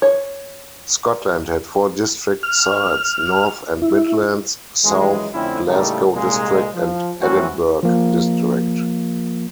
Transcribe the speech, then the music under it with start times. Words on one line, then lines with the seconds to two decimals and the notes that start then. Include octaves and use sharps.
Scotland had four District Sides:- North and Midlands; South; Glasgow District and Edinburgh District.
0.02 C#5
2.43 F6
3.82 E4
4.85 F#2 D#3 E3 G#3
5.34 F2 D3 A3 C4 C#4 E4
5.67 A2 C#3 G3 A3 A#3 D#4
6.14 C2 A#2 G#3
6.75 F3
7.20 E3 F#3 A3 C4 C#4 F#4
7.83 F3 A#3